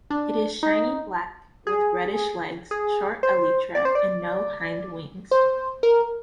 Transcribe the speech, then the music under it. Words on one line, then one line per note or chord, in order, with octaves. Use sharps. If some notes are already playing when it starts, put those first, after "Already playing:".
It is shiny black with reddish legs, short elytra and no hind wings.
D4
D#4
G#4
G#4
C5
D5
C5
D5
C5
A#4